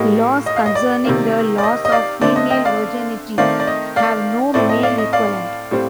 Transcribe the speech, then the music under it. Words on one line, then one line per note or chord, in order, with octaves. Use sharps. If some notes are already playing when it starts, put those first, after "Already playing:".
Laws concerning the loss of female virginity have no male equivalent.
Already playing: A2 G3 A#3 D#5
D#5
F5
D#5
D5
C3 D#3 A#3
D5
D#5
D#5
D5 F5
D3 A3 C4 D5
D#5
D#5 G5
D5 F5
D#3 A3 C4 D5 F5
D5
D#5
D5 F5
A2 A3 C4 D5
D#5
D5 F5
D#5
D5 F5
A2 G3 C4